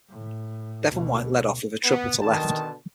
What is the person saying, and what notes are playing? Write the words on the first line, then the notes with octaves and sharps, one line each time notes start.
Devon White led off with a triple to left.
A2
D2 B2
B3
B2 D3 D#3 A5